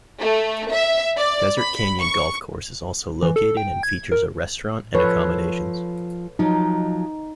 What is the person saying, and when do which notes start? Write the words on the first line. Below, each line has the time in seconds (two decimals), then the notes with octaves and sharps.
Desert Canyon Golf course is also located and features a restaurant and accommodations.
0.20 A3
0.71 E5
1.17 D5
1.59 B5
2.01 C#6
3.22 E3
3.36 A4
3.57 G5
3.83 G#6
4.12 A#4
4.95 F3 A4 B4 C#5
6.39 F3 F#3 D#4